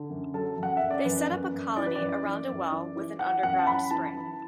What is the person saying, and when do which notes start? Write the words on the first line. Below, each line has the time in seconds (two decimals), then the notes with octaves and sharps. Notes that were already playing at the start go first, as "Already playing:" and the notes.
They set up a colony around a well with an underground spring.
Already playing: D3
0.10 F#2
0.33 F#3 A4
0.57 F#2
0.63 F#5
0.77 F#2 E5
0.91 D5
1.05 F#2 B4
1.29 F#2
1.53 F#2
1.76 E3 D5
1.86 B4
1.95 F#2 D5
2.24 E3
2.48 F#2
2.72 E3
2.96 E3
3.19 E3 F#5
3.43 F#2 F#5
3.59 A5
3.67 F#2 B5
3.91 E3 A5
4.15 E3